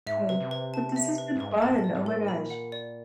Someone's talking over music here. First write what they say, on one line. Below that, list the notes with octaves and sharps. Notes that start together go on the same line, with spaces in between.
Eh, but this has been fun, oh my gosh.
G#2 E5
A2
C3 B4
C3
B4
A5
E5
B4
G2
G#2 B4
G2
G#2 A5
A#2
G#2 D5
G#2
A2 A#4
G#2
A#2 B5
F#5
D5